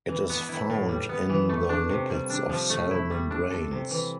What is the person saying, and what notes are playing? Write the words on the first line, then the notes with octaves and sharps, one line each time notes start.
It is found in the lipids of cell membranes.
E3
B3
E4
A2
G3
B3
E3
A3
D4
C3
G3
D4
F3
A3
E4
G3
D4
A4
C3
E3